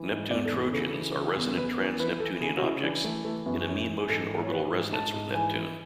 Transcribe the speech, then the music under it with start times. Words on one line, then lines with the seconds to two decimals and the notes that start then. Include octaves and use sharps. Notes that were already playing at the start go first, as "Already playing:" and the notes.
Neptune trojans are resonant trans-Neptunian objects in a mean-motion orbital resonance with Neptune.
Already playing: E3
0.11 G#2
0.31 E2 D5
0.45 A4
0.53 E3
0.73 C#3 A4
0.94 E3
1.15 C#3
1.36 E2
1.57 E2 B4
1.77 E3 B4
1.99 E3 B4
2.20 E3 A4
2.40 C#3 G#4
2.57 F#4
2.62 C#3 E4
2.83 E3 D4
3.04 E3 A3
3.25 E3 A3
3.46 F#2 B3
3.67 E3 C#4
3.88 E3
4.00 G#4
4.09 G#2 A4
4.30 E3
4.43 C#5
4.51 E3 B4
4.72 G#2
4.93 G#2 A5
5.14 G#2
5.35 E3 G#5
5.56 E3